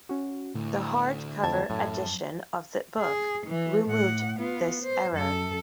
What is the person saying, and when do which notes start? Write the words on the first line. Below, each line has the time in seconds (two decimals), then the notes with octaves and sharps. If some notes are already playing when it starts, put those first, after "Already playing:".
The hardcover edition of the book removed this error.
0.09 C#4 F#4
0.55 D2 A2
1.44 F2 A5 G#6
1.70 F#2 A2
2.99 G#4
3.47 E3
3.89 A2 F#5
4.39 B3 F4
4.83 C5
5.13 F#2 A4